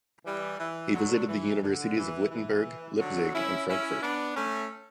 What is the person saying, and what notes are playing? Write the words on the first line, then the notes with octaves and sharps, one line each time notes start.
He visited the universities of Wittenberg, Leipzig and Frankfurt.
E3 G3
E3
D3 F#3
E3
D3
E3
E3
D3 F#3
C#4 E4
C#4 E4
B3 D4
A3 C#4